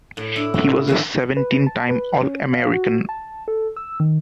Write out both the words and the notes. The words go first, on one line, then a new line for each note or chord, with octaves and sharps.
He was a seventeen-time All-American.
A2
D4 E4
F#4
D#3 E3 F5
B4
A5
B4
C#4
F5
F#4
A5
A4
E6
D#3